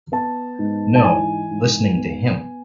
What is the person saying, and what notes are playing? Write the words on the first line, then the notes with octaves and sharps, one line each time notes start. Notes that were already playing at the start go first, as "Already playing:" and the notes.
No, listening to him.
B3 A5
G#2
A5
E3 G#5
G#2
B3